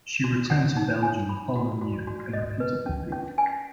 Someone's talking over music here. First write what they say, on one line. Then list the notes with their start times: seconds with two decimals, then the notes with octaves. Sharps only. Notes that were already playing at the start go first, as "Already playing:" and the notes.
She returned to Belgium the following year and repeated the feat.
0.24 F#4
0.50 F#5
0.77 D#4
1.02 G#5
1.29 B5
1.56 F#4
1.81 F#4
2.07 F#4
2.33 D#5
2.60 B4
2.86 C#4
3.12 C#4
3.38 G#5